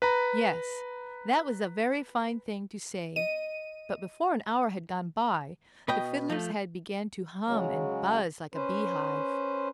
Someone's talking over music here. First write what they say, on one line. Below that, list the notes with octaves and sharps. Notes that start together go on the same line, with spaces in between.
Yes, that was a very fine thing to say; but before an hour had gone by the Fiddler's head began to hum and buzz like a beehive.
B4 A#5 B5
D#5 D#7
B2 B4 D#5 G5
F3 A3
C#3 F#3 G#3
C#4 B4 C5